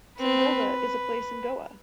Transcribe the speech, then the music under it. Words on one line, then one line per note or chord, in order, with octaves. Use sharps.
Sangolda is a place in Goa.
C4 B4